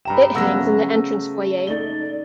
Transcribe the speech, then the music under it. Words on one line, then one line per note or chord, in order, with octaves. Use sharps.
It hangs in the entrance foyer.
G2 G5 A#5 B5 E7
C#3 F#3 A3 B3 F#5 E6 A#6
A3 D#4 D5 G7